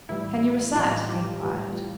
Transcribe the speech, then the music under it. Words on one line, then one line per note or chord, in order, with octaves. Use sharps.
"Can you recite?" he inquired.
A2 E3 G3 E4
A2 E3 G3 D#4 F4
F4 G4
A2 E3 G3